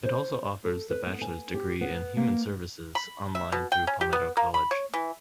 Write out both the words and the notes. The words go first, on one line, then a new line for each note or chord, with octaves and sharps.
It also offers the bachelor's degree in human services online through Palmetto College.
C5
A4
B4
B3
G#5
G4
B3
A#3
B5
E5
B2
G5
C#4
G4
B3
A#3
B5
C#5
E3